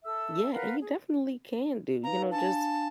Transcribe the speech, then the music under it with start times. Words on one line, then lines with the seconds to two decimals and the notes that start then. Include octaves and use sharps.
Yeah, and you definitely can do, you know, just
0.04 A4 E5 E6
0.53 A#4 B4 F5 F#5
0.81 G#4
2.04 D#4 B4 F5 A#5
2.31 D4 F5 G#5 A5